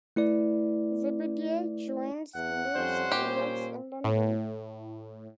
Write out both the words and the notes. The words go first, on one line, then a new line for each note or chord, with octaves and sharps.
Zebedee Jones lives and works in London.
A3 E4 B4 D5
E2 F#5
F2 G3 C#4 C5
A#2 G4
A2